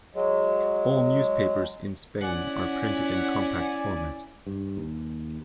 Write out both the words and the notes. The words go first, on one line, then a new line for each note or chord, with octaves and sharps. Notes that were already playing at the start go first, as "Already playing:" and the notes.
All newspapers in Spain are printed in compact format.
F#3 G#3
C#4 E4 D5 F#5 G#5
G2
D#2